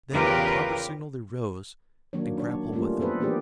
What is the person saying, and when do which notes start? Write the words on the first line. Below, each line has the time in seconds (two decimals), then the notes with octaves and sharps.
Then at the proper signal they rose, and grappled with them.
0.14 E2 C#3 F4 G4 A#4 B4
2.13 D#3 F#3 A#3 D4 C#5
2.37 D4 C#5
2.73 G3 A3 A#3 C#4 F4
3.00 B3 G#4 A4 B4 C5
3.20 E3 A#3 D4 G4 G#4 B4